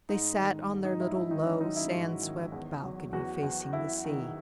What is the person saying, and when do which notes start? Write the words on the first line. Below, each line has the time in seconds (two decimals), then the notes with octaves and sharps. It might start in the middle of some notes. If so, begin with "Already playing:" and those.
They sat on their little low, sand-swept balcony, facing the sea.
0.09 G#2 D#4
0.39 D#3
0.69 G#2
0.85 D#4
1.00 F#3 E4
1.15 E4
1.31 D#3 D#4
1.46 C#4
1.60 F#3 D#4
1.76 E4
1.91 G#2 F#4
2.21 D#3
2.52 E2
2.82 F#3
3.13 E2 F#4
3.43 E2
3.73 E2 E4
4.04 D#3